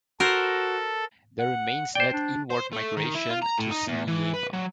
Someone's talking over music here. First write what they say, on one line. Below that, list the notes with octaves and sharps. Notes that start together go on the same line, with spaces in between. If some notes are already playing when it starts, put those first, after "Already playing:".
There remains net inward migration to Sliema.
F#4 A4 A#4 C5
F#5
C5 D5 G5
D4
C5
A3
D#3
E4
F4
A#5
A2
D#4
E2
E3
B4
F#3